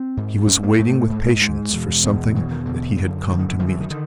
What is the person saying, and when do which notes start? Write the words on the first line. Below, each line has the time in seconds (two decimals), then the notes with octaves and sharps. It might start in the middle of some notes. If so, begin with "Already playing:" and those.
He was waiting with patience for something that he had come to meet.
Already playing: C4
0.17 G#2
0.47 G#2 C#4
0.63 A#3
0.79 G#2 A3
1.10 G#2
1.41 G#2 G#3
1.73 E2 B2
2.04 E2 B2
2.34 E2 B2 E3
2.51 D#3
2.66 E2 B2 D3
2.97 F#2 D3
3.28 F#2 D3 D#3
3.39 D#3
3.49 E3
3.59 F#2 D3 F3
3.70 E3
3.80 D#3
3.90 D3 D#3